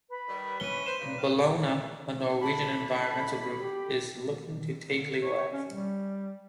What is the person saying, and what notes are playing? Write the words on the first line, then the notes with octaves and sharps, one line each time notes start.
Bellona, a Norwegian environmental group, is looking to take legal action.
B4 B5
D#3 G3
E3 C#4 D#7 G7
B4 C5 E7
G2 A#2 C#3
C4 F5
D3 E4 A5 B5
G4
D3
C#5
C#4
G3